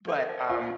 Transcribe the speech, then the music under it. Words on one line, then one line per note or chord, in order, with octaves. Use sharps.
But, um,
A4
A#4
C5
D5
F4 C5 E5